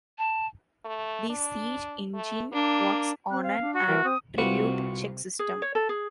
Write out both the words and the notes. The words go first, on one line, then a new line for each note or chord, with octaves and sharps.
The Siege Engine works on an attribute check system.
A5
A3
D4
A3
A#3 D4
C4 F#6
F5
D4
F#4 F#5
E3 A#4
C4 D#6
C2 C3 F4 F#4 B4
G#4
C#5
A4
G#4